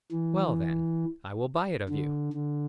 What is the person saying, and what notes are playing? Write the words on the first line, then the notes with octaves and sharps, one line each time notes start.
"Well, then, I will buy it of you!"
E3
D3
D3